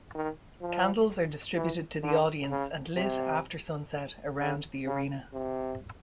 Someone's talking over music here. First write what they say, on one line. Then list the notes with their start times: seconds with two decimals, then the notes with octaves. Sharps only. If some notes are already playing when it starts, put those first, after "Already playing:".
Candles are distributed to the audience and lit after sunset around the arena.
0.14 D#3
0.61 F3
1.55 E3
2.03 D3
2.50 C#3
2.97 C3
4.39 C#3
4.86 C#3
5.33 C3